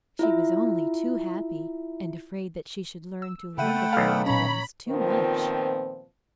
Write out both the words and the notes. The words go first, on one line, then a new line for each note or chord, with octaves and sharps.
She was only too happy, and afraid that she should learn to love the fairy-prince too much.
E4 F4 E5
E6
C#3 A3 E5 F#5 G5 B5 D#7
B1 F5
A#2 C#4 C#5 A#5 B5
A#2 D#3 F3 B3 C4